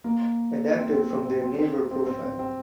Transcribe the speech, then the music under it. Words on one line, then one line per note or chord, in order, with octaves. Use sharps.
Adapted from their Naver Profile.
A#3
C4
C4
C4
C4
C4
C4
C4
C4
C4
C4
C4